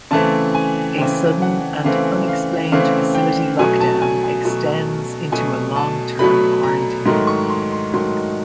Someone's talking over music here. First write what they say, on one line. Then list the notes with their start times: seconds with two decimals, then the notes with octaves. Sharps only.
A sudden and unexplained facility lockdown extends into a long-term quarantine.
0.11 C#3 E3 A3 C4 A5
0.55 G#5
0.98 C#3 E3 A3 C4 G5
1.42 F#5
1.84 C#3 E3 A3 C4 F5
2.28 F5
2.72 C#3 E3 A3 C4 F5
3.15 G5
3.59 B2 F#3 A3 G#5
3.80 A5
4.02 G#5
4.24 G#5
4.45 B2 F#3 A3
5.32 B2 F#3 A3 G#5
5.76 A5
6.19 B2 F#3 A3 B5
6.63 A#5
7.06 G#2 D#3 F#3 A3 C6
7.27 C#6
7.49 C6
7.71 C6
7.94 G#2 D#3 F#3 A3 C6